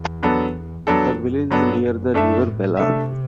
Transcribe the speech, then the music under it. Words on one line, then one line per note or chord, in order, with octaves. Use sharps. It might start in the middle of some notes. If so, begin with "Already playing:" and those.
The village is near the River Belah.
Already playing: E2
F#3 B3 D4 A4
E2 F#3 B3 D4 A4
F#2
G2 F#3 B3 D4 A4
F#2
F#2 A3 D4 A4 E5
A2
C3 A3 D4 A4 E5